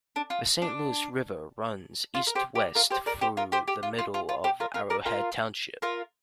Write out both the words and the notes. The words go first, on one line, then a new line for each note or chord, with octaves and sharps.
The Saint Louis River runs east-west through the middle of Arrowhead Township.
D4
F4
D4
F4
A#4
G4 C5
G4
F4 A#4
G4 C5
A#4 D5
G4 C5
F4 A#4
G4 C5
G4
F4
F4
F4
F4
G4 C5
F4 A#4
F4 A#4
A#4 D5
F4 A#4
F4 A#4